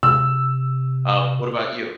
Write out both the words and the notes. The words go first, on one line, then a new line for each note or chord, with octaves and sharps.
Um, what about you?
C3 E6